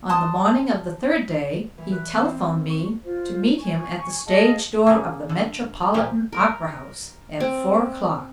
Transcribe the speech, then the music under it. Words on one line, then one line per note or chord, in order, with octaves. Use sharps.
On the morning of the third day he telephoned me to meet him at the stage-door of the Metropolitan Opera-House at four o'clock.
A5 C6 D#6
E3
B4
C4
C#6
F4 C5
G#5 C#6
G#4 D#5 F5 A5
C#3 A#3
D3
A#2 F3 G4
A#4
C4